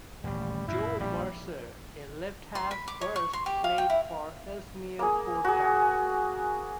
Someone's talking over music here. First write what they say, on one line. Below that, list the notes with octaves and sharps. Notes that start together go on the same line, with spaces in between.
Joe Mercer, a left-half, first played for Ellesmere Port Town.
D#1 A1 G3
F#2 A#2 E4
A#1 G3
C6
B5
D6
C#5
C#6
C6
G4
F5
G5
E4
A#3 G#4
F#4 G#4